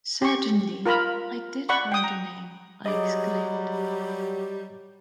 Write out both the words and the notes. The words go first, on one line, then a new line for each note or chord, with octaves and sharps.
Certainly, “I did find the name,” I exclaimed!
G4 C#6
F4 A#4 A#5 B5
D5 F#5 B5 C#6
G5 D#6
A#5
F#3 G3 G#4 D#5 D6
G4